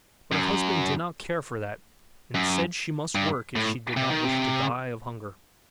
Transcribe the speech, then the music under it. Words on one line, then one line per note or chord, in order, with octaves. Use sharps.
But her husband did not care for that, and said she must work, if she did not wish to die of hunger.
F#2
F#2
G2
A2
C3
D#3
C3